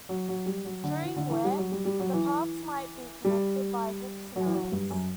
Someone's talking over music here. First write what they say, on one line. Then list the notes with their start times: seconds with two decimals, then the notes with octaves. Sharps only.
During wear, the parts might be connected by hooks and eyes.
0.09 F#3
0.29 F#3
0.46 G3
0.65 F#3
0.84 D3
1.02 E3
1.16 D3
1.30 E3
1.44 G3
1.58 F#3
1.72 G3
1.85 G3
2.00 F#3
2.13 E3
3.25 G3
4.36 F#3
4.46 E3
4.54 F#3
4.72 G2
4.90 F#2